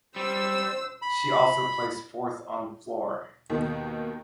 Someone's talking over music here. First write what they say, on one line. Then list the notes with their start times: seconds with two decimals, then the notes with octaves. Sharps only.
She also placed fourth on floor.
0.16 G3 C5 E6
1.02 B5
3.50 D#2 B2 D#3